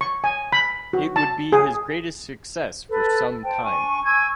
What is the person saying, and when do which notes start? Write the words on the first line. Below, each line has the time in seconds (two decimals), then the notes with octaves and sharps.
It would be his greatest success for some time.
0.01 C#6
0.24 G#5
0.53 B5
0.93 F#4
1.16 A5
1.52 G#4
2.89 A4 B4
3.43 C5 G5 A5
3.64 D4 G#5 C#6
4.03 G#5 C#6 E6 G#6